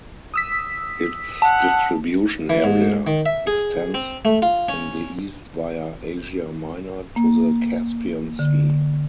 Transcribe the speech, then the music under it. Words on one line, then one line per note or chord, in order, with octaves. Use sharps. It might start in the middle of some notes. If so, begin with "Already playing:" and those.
Its distribution area extends in the east via Asia Minor to the Caspian Sea.
D#6 E6 B6
F#5 A5
E3
G#2
D#3
E5
G#4
C4
A3
F4
C#4
A#3
D3